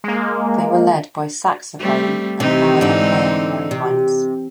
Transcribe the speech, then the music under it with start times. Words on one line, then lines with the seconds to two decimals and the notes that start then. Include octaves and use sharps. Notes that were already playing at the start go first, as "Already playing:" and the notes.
They were led by saxophone and clarinet player Harry Hines.
0.04 G#3 A#3
1.79 G3 A3 C4
2.40 C3 E3 C4 D#4
2.81 G#2 D3
3.71 C3